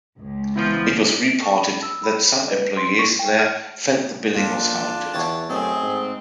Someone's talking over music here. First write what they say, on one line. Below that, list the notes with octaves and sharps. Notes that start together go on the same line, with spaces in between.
It was reported that some employees there felt the building was haunted.
C#2
E3 F3 B3 E4
C#6
B5
E6
B5
B4
C6
C#6
G5
F6
F2 A#2 D4 F4
E2 C#5 F#5 G5 A5
F#2 A3 C4 D#4 G#4 A4
G#2